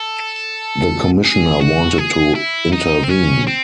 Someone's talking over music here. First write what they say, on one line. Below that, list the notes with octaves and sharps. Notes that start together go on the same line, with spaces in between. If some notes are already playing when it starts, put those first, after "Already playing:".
The commissioner wanted to intervene.
Already playing: A4
G#4
F#4
G#4
E4
D#4
C4
C#4
C4